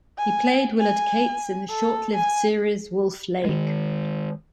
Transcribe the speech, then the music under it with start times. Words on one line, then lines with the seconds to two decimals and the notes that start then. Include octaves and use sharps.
He played Willard Cates in the short-lived series Wolf Lake.
0.18 G#5
0.80 G#5
1.70 A4
2.15 G#5
3.45 D#3 G#3